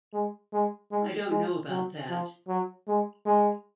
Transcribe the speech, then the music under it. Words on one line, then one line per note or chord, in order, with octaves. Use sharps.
I don't know about that.
G#3
G#3
G#3
G#3
F#3
F3
F#3
G#3
G#3